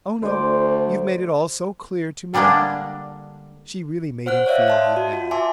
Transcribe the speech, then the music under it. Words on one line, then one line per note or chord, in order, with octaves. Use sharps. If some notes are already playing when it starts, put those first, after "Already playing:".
"Oh, no; you've made it all so clear to me!" She really made him feel he had.
D2 C5 D5
D3 G3 G#3 A#3 D4
C5 F#5 F6 F#6
C#5 D5 E5 F5
D#5 A5 C6
F#4
F4
E5 G#5 A5 C6 D6